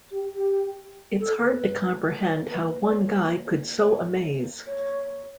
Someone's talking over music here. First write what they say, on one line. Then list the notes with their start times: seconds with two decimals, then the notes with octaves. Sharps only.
It's hard to comprehend how one guy could so amaze.
0.11 G4
0.33 G4
1.20 A4
1.41 B4
2.50 B4
2.61 B4
2.72 B4
2.82 D5
2.94 C#5
3.80 C#5
4.67 C#5